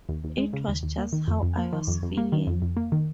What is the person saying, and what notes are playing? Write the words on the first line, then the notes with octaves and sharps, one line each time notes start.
It was just how I was feeling.
D#2
D#2
G#3
C#3
D#2
D#2
A#3
D#3
F2
F2
A#3
D#3
F2
F2
A#3
D#3
F2
F2
A#3
D#3